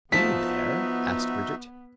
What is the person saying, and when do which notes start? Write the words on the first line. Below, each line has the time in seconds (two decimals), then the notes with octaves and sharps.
"Were you there?" asked Brigitte.
0.12 F3 B3 D#4 F#4 E5 A5 B6